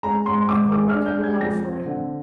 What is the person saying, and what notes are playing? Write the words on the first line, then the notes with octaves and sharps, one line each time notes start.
I hope I can allow for him.
G#3 A#5
G#2 C6
G#2 D6
G#3 D6
D4 F6
G6
G#3
G#6
F2 A#6
C4
D3